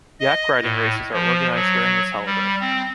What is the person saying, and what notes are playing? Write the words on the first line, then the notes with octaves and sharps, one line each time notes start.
Yak riding races are organized during this holiday.
D#5
A2
F3
F#3
G3
C4